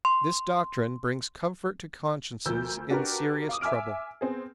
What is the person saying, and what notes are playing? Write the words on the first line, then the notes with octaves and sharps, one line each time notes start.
This doctrine brings comfort to consciences in serious trouble.
C6
D2 F3 A#4 E6 G6
D4 F#4 G4 A#4 B4
F5 D6 D#6
E5 G#5 D6 F6 D7
B3 C4 G#4